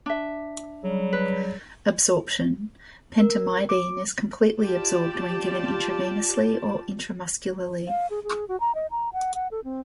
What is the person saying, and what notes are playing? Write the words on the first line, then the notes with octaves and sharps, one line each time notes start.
Absorption: Pentamidine is completely absorbed when given intravenously or intramuscularly.
D4 E5
C#3 F#3 G3
B4
A#4
D6
F4 G4 D5 A5
F5
G#4
G#4
F#4
A#5
D#5
A#5
F#5
F#5
A4
C4